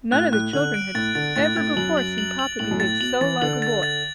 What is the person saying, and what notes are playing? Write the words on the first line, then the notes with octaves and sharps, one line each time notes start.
None of the children had ever before seen Papa behave so like a boy.
A2 F#6
A2 F#6
D3 F#7
D7
A2 A6
D3 A6
A2 A6
A2 A6
F#2 F#7
F#7
F#7
F#7
A2 F#7
F#2
A2 A6
B2 F#7
E3 A6
D3 F#7
A6
A6